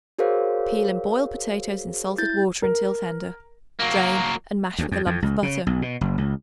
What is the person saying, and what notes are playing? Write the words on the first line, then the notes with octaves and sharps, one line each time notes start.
Peel and boil potatoes in salted water until tender; drain and mash with a lump of butter.
F#4 G#4 A#4 C5 C#5 F5
E4 G6 A6
A#4
F#3 A#3
D2
F2
F2
C#2
C#3
B1
B2
F#1
C#2